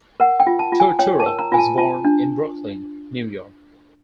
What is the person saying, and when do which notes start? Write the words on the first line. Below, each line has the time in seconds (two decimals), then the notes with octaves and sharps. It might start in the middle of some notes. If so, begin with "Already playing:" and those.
Turturro was born in Brooklyn, New York.
0.20 A#4 F#5
0.40 G5
0.47 F4
0.59 A5
0.72 F4
0.80 G#5
0.99 C#5 G5
1.20 A5
1.26 A#4
1.39 A#5
1.52 F4 G#5
1.58 A5
1.78 F4 A5
2.04 D4